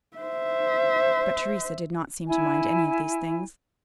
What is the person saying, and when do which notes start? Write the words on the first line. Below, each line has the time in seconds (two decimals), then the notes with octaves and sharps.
But Theresa did not seem to mind any of these things.
0.17 C5 E5
2.28 E4 G#5